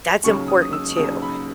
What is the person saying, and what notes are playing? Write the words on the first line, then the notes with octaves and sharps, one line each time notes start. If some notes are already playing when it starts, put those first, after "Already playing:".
that's important too.
D#2 C#3 F#3 C#6
D#6
D#6
E6
D#2 C#3 F#3 D#6
B5